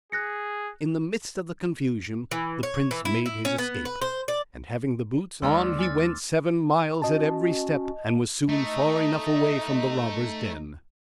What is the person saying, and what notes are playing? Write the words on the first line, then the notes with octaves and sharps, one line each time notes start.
In the midst of the confusion the prince made his escape, and having the boots on he went seven miles at every step, and was soon far enough away from the robbers' den.
G#4 F#6 A#6 C#7
E3
C#5
E3
E4
E4
C#4
B3
B4
C5
D5
D#2 G#3 A#3 D5 C6 E6 F6
G#5 D6 F6 A6
C#4 F#4 D#5 A5
A3 D#4 D#5